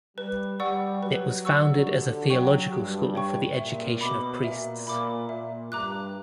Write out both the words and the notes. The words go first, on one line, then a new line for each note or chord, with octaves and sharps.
It was founded as a theological school for the education of priests.
G3 B4
G3 D5 F#5 C#6 E6
F#3 B4
D5 F#5 C#6 E6
D3 G4
F#3 C#5 G5 C#6
G2 G4
C#5 G5 C#6
A#2 E5
B2 B5 D6
A#2 E5
A#2 B5 D6
A#2 E5
G2 A#5 D6 F#6